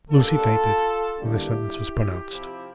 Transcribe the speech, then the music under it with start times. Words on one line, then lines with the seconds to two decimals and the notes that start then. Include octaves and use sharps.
Lucie fainted when the sentence was pronounced.
0.10 A#2 G3 D4 F4 A4
1.19 D3 G3 A#3 D4 E4 G4
2.29 C3 F3 C4 E4